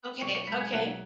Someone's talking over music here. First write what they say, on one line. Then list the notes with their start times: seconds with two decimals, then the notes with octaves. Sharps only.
Okay, okay.
0.21 B1 C#6 C#7
0.35 C#6 C#7
0.47 G#3 B5 B6
0.60 G#5 G#6
0.73 B1 F#5 F#6